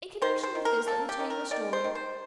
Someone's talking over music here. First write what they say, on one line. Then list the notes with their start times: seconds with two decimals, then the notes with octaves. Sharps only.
In connection with this, let me tell you a story.
0.22 D#3 C5
0.43 C5
0.55 D#3
0.65 A#4
0.87 A#3 A4
1.09 G4
1.19 D#3
1.30 A#4
1.51 D#3 D5
1.73 C5
1.84 D#3
1.95 C5